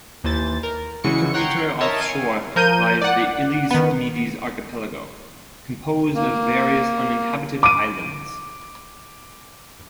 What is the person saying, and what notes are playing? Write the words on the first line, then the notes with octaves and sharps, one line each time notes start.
A kilometre off shore lies the Illes Medes archipelago, composed of various uninhabited islands.
D#2 E3 C5 A6
A#4
C#3 E3 G#3 F#4 C#6 C#7
C#5 F#5 G5 A#5 C6 C#6
A#4 C#5 D#5 E5 A5
F5 G#5 C#6
F3 A#4 G6 D#7
D5 F#5
D#3 B3
A#3
D6 D#7